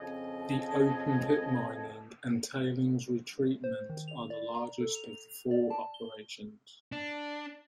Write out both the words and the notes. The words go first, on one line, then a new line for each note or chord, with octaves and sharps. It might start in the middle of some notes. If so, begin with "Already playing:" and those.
The open pit mining and tailings re-treatment are the largest of the four operations.
F2 C#3 C4 D#5 G#5 A5
C5
D#3
F7
D5
A#5
A4
F7
D5
A5
G7
D4